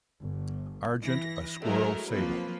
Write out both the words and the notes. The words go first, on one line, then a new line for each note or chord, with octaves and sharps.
Argent a Squirrel Sable.
G1
E3 A#6
F#3 G#3 A3 E4 A#4
F3 A#3 C4 B4